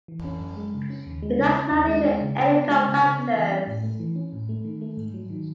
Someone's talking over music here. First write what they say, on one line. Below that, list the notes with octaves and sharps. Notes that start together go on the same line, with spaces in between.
It does not need any cofactors.
E3
C#4
F#2
G#3
C#3
C#4
D#2
G#3
C#3
C#4
D#2
G#3
G#3
C#3
C#3
B3
G#3
C#3
C#3
B3
E3
C#4
A2
A3
E3
C#4
A2
A3
D#3
A3
G#2
F#3
D#3